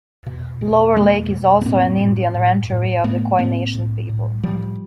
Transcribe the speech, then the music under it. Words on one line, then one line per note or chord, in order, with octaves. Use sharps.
Lower Lake is also an Indian rancheria of the Koi Nation people.
B2
B2
B2 G#3 A#3
B2
B3
A2 A#3 C4
A2
A2
A2
A2 A3 B3
A2 A#3 C4
A2
A2
A2 F3 G3